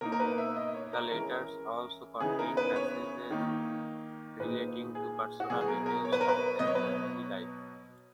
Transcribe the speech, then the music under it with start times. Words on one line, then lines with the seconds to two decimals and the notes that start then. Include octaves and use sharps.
The letters also contain passages relating to personal details of their family life.
0.01 B2 A#3 D#4 A#4
0.12 A#4
0.20 B4
0.38 E5
0.57 D#5
0.75 C#5
0.93 A#4
1.11 E3 G#3 C#4 E4 A#4
2.20 C#3 E3 B3 D#4 G#4
2.39 A#4
2.57 B4
2.76 C#5
3.31 D#3 A#3 D#4
4.40 A#2 G#3 D#4 B4
4.95 G#4
5.40 F#4
5.50 B2 F#3 B3 G#4
5.61 G#4
5.68 A#4
5.86 A#4
6.05 C#5
6.12 B4
6.21 A#4
6.28 B4
6.59 B2 F#3 B3 D#5
6.67 C#5
6.75 B4
6.83 C#5